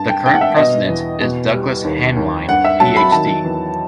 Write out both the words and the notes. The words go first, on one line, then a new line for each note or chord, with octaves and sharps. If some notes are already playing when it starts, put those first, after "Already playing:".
The current president is Douglas Haneline, PhD.
Already playing: G2 A5
G5
G2 G5
F#5
E5
B2 D#5
E2
B2
G3
D#2
D#2
G2 F#5
E5
F#3 A5
B5
D#3 A5
E2